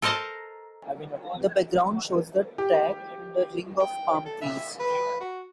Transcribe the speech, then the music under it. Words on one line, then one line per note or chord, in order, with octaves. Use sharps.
The background shows the track and a ring of palm trees.
A4 A#4 C5 D#5 A5 A#5
G4
G5
A4
E5
B4
F#4